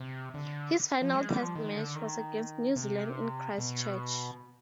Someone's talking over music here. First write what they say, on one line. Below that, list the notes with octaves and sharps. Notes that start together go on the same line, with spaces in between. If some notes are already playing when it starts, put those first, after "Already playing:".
His final Test match was against New Zealand in Christchurch.
Already playing: C3
D3
F3
G#3
G3
F3
D#3
D3
D#3
C3
B2